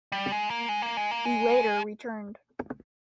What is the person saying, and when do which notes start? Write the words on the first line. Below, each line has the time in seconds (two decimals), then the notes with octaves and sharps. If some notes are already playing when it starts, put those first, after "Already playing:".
He later returned.
0.12 G3
0.32 G#3
0.50 A#3
0.69 G#3
0.82 A#3
0.97 G#3
1.11 A#3
1.25 G#3